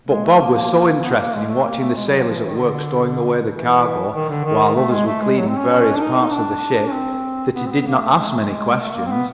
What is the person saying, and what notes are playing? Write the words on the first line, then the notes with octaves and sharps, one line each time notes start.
But Bob was so interested in watching the sailors at work stowing away the cargo, while others were cleaning various parts of the ship, that he did not ask many questions.
G#3
A3
A#3
B3
A#3
G#3
A3
A#3
A3
G#3
G3
F#3
F3
E3
D#3
D3
E3
D#3
D3
D#3
A3
G#3
A3
G#3
F#3
C4
C#4
D4
D#4
D#4
D4
C#4
C4
B3
C4
B3
B3
A#3
A3
G#3
A3
G#3
A3
A#3
C4
B3